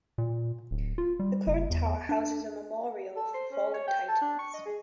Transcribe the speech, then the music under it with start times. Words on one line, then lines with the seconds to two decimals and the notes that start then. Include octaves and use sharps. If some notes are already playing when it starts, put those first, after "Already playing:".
The current tower houses a memorial for fallen Titans.
0.18 A#2
0.71 D1
0.98 F4
1.19 G3
1.47 F#1
1.70 E2
2.09 D4
3.16 A4
3.34 C5
3.52 C#4
3.74 C#5
3.87 G5
4.08 A5
4.21 D4
4.39 C#6
4.54 D#5
4.65 G#4